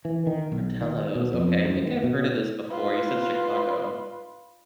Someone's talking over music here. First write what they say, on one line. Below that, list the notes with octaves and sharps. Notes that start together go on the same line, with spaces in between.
Portillo's. Okay, I think I've heard of this before. You said Chicago.
E3
D#3
B1
D#3
B2
F2
F#2
D#3
B2
F4 B4